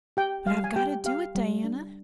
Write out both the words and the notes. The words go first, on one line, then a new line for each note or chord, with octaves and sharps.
But I've got to do it, Diana.
G4 G5
G3 F5
G#5
G4 G5
G4 F5
G3
D4